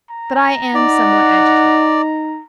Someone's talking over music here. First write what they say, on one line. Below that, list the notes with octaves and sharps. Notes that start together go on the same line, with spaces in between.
But I am somewhat agitated.
A#5
D#4 D5 F#5